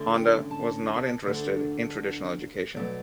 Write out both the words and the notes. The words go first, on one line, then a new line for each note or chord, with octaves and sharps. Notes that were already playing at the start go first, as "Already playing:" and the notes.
Honda was not interested in traditional education.
Already playing: D3 A3 C#4
G5
A5
D2 D3 A3 D4
B2 F#3 A3 D5